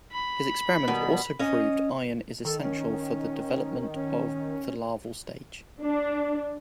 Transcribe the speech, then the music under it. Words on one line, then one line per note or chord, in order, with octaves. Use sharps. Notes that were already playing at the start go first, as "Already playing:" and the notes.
His experiments also proved iron is essential for the development of the larval stage.
B5
B2 D#3 G3
C#4 D#5
D#3 A4
C#4
C#4
D4